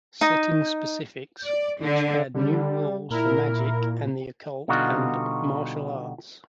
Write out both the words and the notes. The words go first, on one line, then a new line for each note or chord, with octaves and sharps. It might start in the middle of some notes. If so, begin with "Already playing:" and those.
Setting Specifics, which add new rules for magic and the occult, and martial arts.
D#4
D5
D3
D3 G3
A#2 E4 A#4
B2 D3 G3 D#4 F4 F#4